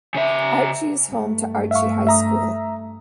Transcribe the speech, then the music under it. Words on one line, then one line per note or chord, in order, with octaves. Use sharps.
Archie is home to Archie High School.
C#3 E5
G2 A3
E5 F5 C#6
E5 A#5 D#6